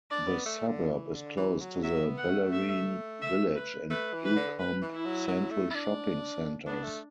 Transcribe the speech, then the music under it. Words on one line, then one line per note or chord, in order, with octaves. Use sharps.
The suburb is close to the Bellarine Village and Newcomb Central shopping centres.
D4 D5
B3
A3
D3
E3
D3
E3
F#3
F#3 E5
B3
F#5
A3
E5
E5
B4
A3 B4
E3
B4
D3
B4
E3
E4
F#3
F#3
A3
E4
D4
B3 D4
A3